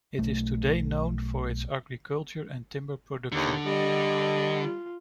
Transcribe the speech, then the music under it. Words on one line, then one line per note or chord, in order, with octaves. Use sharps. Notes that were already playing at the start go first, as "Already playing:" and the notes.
It is today known for its agriculture and timber production.
B1 A3
D#2 D3
G3 D#5
F4